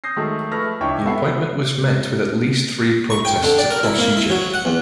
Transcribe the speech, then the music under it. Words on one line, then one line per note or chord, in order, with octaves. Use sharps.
The appointment was met with at least three protests across Egypt.
D#6 G6 A#6 C7
D#3 F#3 G#3 A3
F3 A3 B4 C#6 F6 A#6
C#2 D4 E4 C#5 G5 C#6
B3 A4 E5 F#5 C7
C#6
G5
D3
D5
A#4
E4
A#3
E4
F#3
F#5
E2